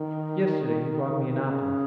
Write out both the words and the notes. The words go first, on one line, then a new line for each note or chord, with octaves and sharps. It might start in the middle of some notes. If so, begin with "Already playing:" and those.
Yesterday he brought me an apple.
Already playing: D#3
C#3